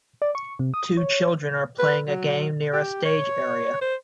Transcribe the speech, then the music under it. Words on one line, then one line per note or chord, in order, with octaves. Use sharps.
Two children are playing a game near a stage area.
D5
C#6
C3
D#6
C#5
B4
F#3
G4
C#5
C5